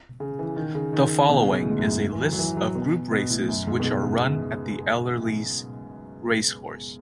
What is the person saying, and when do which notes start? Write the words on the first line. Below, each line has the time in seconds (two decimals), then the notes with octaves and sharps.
The following is a list of Group races which are run at Ellerslie Racecourse.
0.20 C#3
0.39 E3
0.56 D#3
0.75 C#3
0.93 D#3
1.30 B2
1.41 C#3
1.51 B2
1.62 A2
1.70 G#2
1.79 F#2
2.13 E3
2.21 F#3
2.32 F#3
2.39 E3
2.57 F#3
2.75 B2
3.12 B2
3.30 A2
3.48 F#2
3.67 G#2
3.80 B2
3.85 C#3
4.03 C#3